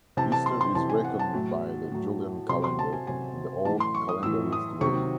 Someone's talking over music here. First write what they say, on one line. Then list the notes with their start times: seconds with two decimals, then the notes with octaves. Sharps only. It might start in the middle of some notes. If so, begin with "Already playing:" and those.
Easter is reckoned by the Julian Calendar in the Old Calendarist way.
0.17 C3 E3 A5
0.32 A5
0.46 C6
0.61 C6
0.75 C3 E3 A5
0.89 G#5
1.04 F#5
1.19 A5
1.33 A2 F#3
1.92 A2 F#3
2.49 C3 C6
2.54 F#3
2.64 C6
2.79 A5
2.93 G#5
3.07 C3 F#3 G#5
3.65 A2 E3 A5
3.80 C6
3.95 C#6
4.09 D#6
4.23 A2 E3 E6
4.52 D#6
4.81 C3 D#3 F#3 C#6